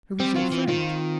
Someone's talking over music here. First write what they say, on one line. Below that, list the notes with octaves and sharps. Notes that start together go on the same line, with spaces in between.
"Who is your friend?"
G3 C4
F#3 F4
E3 F4
D#3 F4